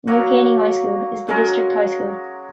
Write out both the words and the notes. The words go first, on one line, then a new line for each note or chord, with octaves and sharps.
New Caney High School is the district high school.
F#3 A#3 F#4
F#3 G#3 C#4 A#4